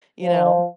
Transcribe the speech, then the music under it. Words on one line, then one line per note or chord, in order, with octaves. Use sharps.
you know?
F3